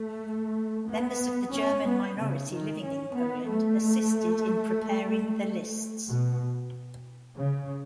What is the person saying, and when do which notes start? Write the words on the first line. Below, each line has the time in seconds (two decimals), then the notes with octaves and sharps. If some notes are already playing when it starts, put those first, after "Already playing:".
Members of the German minority living in Poland assisted in preparing the lists.
Already playing: A3
0.89 B3
1.54 C#4
1.86 B3
2.19 C#3
2.51 D#3
2.83 C#4
3.16 B3
3.49 A3
6.08 B2
7.38 C#3